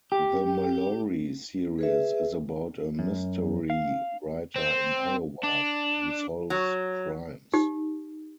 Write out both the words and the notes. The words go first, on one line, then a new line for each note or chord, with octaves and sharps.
The Mallory series is about a mystery writer in Iowa who solves crimes.
G4
G#4 B4 E5
F#2
F5
C4
D4
F#3
D#4 G4